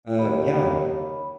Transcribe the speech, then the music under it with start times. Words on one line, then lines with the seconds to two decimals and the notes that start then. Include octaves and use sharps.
Uh, yeah
0.19 D#2 C#5 B5